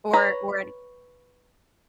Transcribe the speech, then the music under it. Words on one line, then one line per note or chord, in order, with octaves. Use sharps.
or or
B4 C#5 A#5